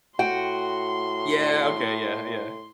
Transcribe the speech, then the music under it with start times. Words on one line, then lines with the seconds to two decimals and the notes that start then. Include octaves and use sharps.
Yeah, okay. Yeah, yeah.
0.19 A2 F#4 G5 C6